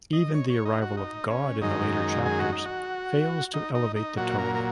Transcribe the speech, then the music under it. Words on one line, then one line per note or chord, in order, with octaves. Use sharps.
Even the arrival of God in the later chapters fails to elevate the tone.
D#5
C#5
C#5
D#4
F#4
D#4
C#4
F#2 D#3 G#3 D#4
G#4
F#4
D#4
F#4
D#4
D#4
D#4
A#2 F#3 F#4
A#4
A#4